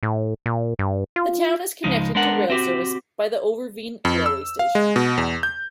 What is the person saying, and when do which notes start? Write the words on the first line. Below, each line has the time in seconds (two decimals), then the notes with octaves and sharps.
The town is connected to rail service by the Overveen railway station.
0.03 A2
0.46 A#2
0.79 G2
1.16 F4
1.84 C#2 F3 G#3 D#4
2.15 G#3 B3 D4 A#4 F#5
2.50 C4 F#4 G4
4.05 F2
4.26 E6
4.59 F5
4.75 G#3
4.96 B2
5.18 E2
5.43 G6